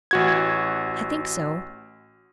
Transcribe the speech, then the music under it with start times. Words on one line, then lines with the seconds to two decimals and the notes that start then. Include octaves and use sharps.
"I think so."
0.11 A1 F#4 G#6